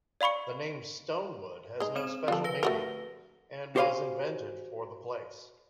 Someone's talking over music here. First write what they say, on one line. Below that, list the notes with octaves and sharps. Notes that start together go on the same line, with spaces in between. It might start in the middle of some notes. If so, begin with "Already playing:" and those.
The name Stonewood has no special meaning, and was invented for the place.
D5 F5 B5 C#6 C#7
G#3 D#4
C4 C5 E7
D3 F3 F4 A4
B4 A#6 G7
A3 F#4 A#4
F#4 G4 C5 D5 F5 G#5